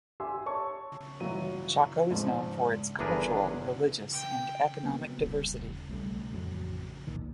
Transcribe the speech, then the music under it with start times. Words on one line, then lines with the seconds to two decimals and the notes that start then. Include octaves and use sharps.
Chaco is known for its cultural, religious and economic diversity.
0.20 G4 E5 G#5 C6 E6
0.46 C#5 A5 C#6
1.20 G1 E3 F#3 F4 D#7
2.11 E2 G#2 F3
2.99 G1 E2 D4 G#4 A#4 B4
4.12 G5
4.83 C#3 F#3 A#3 B3
5.19 D#1 C2
5.89 B1 G3 A3
6.33 A1 F2 F#3
7.07 F#1 C#2 A#2 D#3